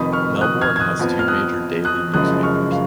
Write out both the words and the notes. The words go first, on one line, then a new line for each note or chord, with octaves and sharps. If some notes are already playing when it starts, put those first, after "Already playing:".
Melbourne has two major daily newspapers.
Already playing: F1 F2 D#3 B5 D#6
C#6 F6
D#6 F#6
F6 G#6
G#6
D#6 F#6
F2 F3 B3
F6
D#6 F#6
D#6 F#6
F#1 F#2 C#3 F3 G#3 D#6 F#6
C#6 F6
F5